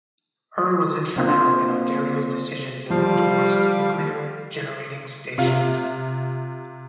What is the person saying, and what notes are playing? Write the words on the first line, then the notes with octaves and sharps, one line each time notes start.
Hearn was instrumental in Ontario's decision to move towards nuclear generating stations.
A#3 C4 F4
F3 G3 F5
C3 F4 F5